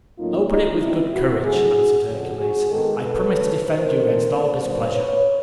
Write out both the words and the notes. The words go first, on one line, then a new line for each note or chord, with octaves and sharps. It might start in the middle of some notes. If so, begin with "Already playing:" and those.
"Open it with good courage," answered Hercules, "I promise to defend you against all displeasure."
A2 F#3 A#3 C#4 D#4 F4
D#4
B2 G3 C4 D#4 E4
E4 F#4
F2 D3 F#3 A3 F#4 G#4
F2 C#3 F3 F#4 G#4
F#4 G#4
G#2 D#3 G#3 B3 D#4 G4 A4
A4 B4
C#3 F#3 A3
A#4 C5
A2 F3 A3 C4 D#4
G2 D#3 G3 B3 C5 D5
B4 C#5